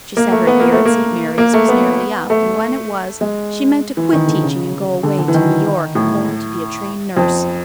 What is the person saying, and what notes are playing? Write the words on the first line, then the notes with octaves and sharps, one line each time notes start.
She said her year at St. Mary's was nearly up, and when it was she meant to quit teaching and go away to New York and learn to be a trained nurse.
A#3
A3
B3
A#3
A3
A#3
A#3
A3
B3
A3
G#3
E3
D#3
D3
C#3
D3
D3
E3
D#3
A2
F2